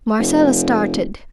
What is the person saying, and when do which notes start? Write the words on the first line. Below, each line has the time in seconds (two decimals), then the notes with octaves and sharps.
Marcella started.
0.19 F1